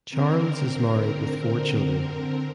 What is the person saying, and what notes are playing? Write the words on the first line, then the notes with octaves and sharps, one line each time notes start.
Charles is married with four children.
D3 C4 A#4